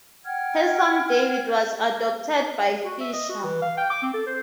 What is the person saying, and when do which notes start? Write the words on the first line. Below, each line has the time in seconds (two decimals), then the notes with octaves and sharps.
Her son David was adopted by Fischer.
0.24 F#5 G5 F6 G#6
2.85 F#4
3.00 E5
3.13 D#5
3.29 F#4
3.44 E3
3.62 F5
3.77 G5
3.90 D6
4.03 C4
4.14 A4
4.27 C5